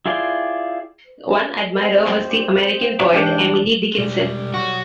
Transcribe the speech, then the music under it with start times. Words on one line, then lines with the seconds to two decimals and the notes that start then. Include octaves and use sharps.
One admirer was the American poet Emily Dickinson.
0.06 E4 F4 G#4 D5 G5
1.81 C4
3.13 G#2 E3 D4 G4
3.98 B2 G3 G#3
4.54 B1 F#4 C#5